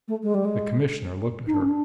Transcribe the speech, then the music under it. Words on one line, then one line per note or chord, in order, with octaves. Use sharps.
The Commissioner looked at her.
A3
G#3
G3
G#3
D#4
D4
C#4
D4